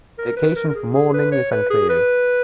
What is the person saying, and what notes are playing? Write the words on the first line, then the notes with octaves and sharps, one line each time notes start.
The occasion for mourning is unclear.
A#4
B4
A#4
A#4
G#4
G#4
B4
C#5
B4
G#4
B4